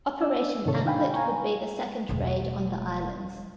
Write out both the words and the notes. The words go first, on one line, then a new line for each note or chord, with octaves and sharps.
Operation Anklet would be the second raid on the islands.
D4 D5 E6
G#2 C3 D#3 A4 C#5
D4 D#4 F5 G5 G#5 B5
F5 G#5 A#5 C#6
E1 A3